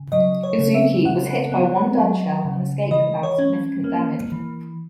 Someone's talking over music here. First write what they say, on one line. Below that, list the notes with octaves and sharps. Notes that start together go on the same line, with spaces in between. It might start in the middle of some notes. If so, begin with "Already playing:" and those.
"Uzuki" was hit by one dud shell and escaped without significant damage.
Already playing: C#3
F#3 D#5
C#5
C#3
E5
C#3 F#5
B3
F#3
C#3
E3 D#5
C#5
C#4
A#3
E3